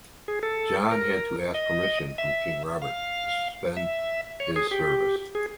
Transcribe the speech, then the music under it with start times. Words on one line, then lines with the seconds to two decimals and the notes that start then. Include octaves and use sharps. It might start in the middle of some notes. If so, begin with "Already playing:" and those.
John had to ask permission from King Robert to suspend his service.
0.28 G#4
0.43 A4
0.91 A#4
1.54 D#5
2.18 E5
2.82 F5
3.77 E5
4.40 C#5
4.56 G#4
4.71 G4
5.35 G#4